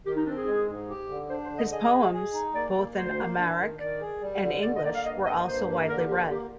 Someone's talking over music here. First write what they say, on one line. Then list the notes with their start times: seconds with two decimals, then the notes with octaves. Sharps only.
His poems, both in Amharic and English, were also widely read.
0.06 D#3 G4
0.16 D#4
0.26 C4 D4
0.36 G#4
0.47 G#3
0.68 G#2
0.89 G4
1.09 D3
1.30 D4 C5
1.44 C5
1.51 D3
1.58 D#5
1.71 G#4 D#5
1.93 G#4
2.13 G#4
2.34 D#4
2.55 A#3 D5
2.76 A#3
2.96 D2 C5
3.18 A#3
3.39 D4
3.59 D#3
3.79 D#3 D5
4.01 G#4
4.21 G3
4.43 D3
4.63 D3 D5
4.76 D#5
4.84 A#3 D5
4.95 F5
5.04 G2 D#5
5.25 A#3 D#5
5.46 G2 C5
5.68 A#3
5.88 D3 A#4
5.98 G4
6.09 A#3 G4
6.19 F4
6.30 A#3 G4